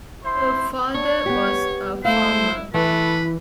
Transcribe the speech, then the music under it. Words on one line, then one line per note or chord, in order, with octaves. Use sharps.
Her father was a farmer.
E4 C5 C6
D4 C#5
B3 G4
A3 E4 C5 F5
E3 A3 E4 B4